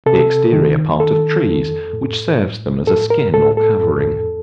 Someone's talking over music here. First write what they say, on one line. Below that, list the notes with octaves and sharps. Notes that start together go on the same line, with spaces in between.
The exterior part of trees, which serves them as a skin or covering.
C3 A4
D#3
D#3 A4
F2
A2
A2
A2 A4
A#4
A2 A4
A4
F2